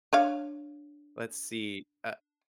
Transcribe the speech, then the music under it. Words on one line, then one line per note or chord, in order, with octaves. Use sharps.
Let's see, uh
D4 C#5 F5